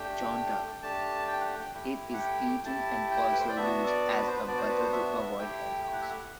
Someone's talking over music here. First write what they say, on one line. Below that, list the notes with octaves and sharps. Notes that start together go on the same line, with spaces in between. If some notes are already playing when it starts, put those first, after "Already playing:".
Chonta: It is eaten and also used as a butter to avoid hair loss.
Already playing: A3 D4 G4 G5
G5
A3 D4 G4 A5
G5
F#5
G5
A3 E4 G4
F#5
G5
A3 E4 G4 A5
G5
B4
C5
D5
B3 D4 F#4 E5
D5
B4
C5
B4
B3 D4 F#4 D5
C5
B4
C5
E5
A3 E4 G4 G5
G5
F#5
E5
F#5